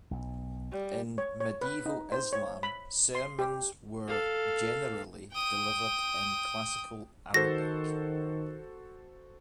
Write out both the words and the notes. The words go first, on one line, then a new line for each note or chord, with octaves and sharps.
In medieval Islam, sermons were generally delivered in classical Arabic.
B1
G3
C#5
C#5
B4
D#4
C5
C#5
B5
C6
G4
A4 F5
G5 D#6
D#3 F#4 A4 C5 A#6